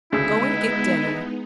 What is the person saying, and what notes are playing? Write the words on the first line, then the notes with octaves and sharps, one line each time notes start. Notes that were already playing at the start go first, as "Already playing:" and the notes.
Go and get dinner.
D2 C#3 G#3 B3 D#4 E4